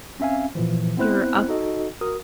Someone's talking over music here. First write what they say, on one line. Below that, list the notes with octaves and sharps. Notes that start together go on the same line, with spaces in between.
you're up
C4 C#4 E5 F5 G#5
A#2 E3 F3
B3 C4 E4 C5 F#6
D#4 F#4 A4 D#5
F#4 A#4 D#6